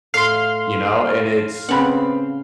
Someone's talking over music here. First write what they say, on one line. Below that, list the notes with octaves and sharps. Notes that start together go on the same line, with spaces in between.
you know? And it's
A2 F5 C6
C#3 B3 C4 F#5 B5